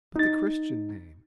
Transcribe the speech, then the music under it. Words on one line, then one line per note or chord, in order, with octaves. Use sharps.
"But the Christian name?"
D#4 A6